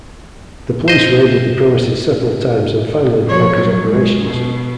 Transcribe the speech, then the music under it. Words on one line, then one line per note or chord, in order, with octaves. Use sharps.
The police raided the premises several times and finally broke his operations.
C5 D#5
F3 C#5
F#3
G#3
B2